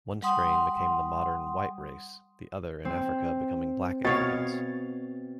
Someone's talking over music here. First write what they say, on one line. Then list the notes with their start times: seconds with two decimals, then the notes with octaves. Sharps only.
One strain became the modern "white" race, the other in Africa becoming black Africans.
0.22 G3 F#5 C6 D#6
2.85 C4
4.04 B2 C#5 F5 A6